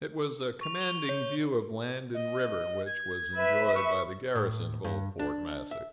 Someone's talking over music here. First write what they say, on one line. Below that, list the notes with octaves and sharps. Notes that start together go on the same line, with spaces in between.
It was a commanding view of land and river, which was enjoyed by the garrison of old Fort Massac.
C#6 F7
F7 G7
C#5 G6
D#5
G#6
B4 E5
C#6
A2
G2
D4
E5